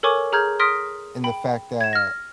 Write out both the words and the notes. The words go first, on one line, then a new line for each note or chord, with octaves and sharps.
in the fact that
A4 A#4 C#5 G#5 C#6 D6
G#4 A#5 F6 G6 G#6
C6 D#6 F6 A#6 B6 D7
G5 B5
G#6 E7
F6 A#6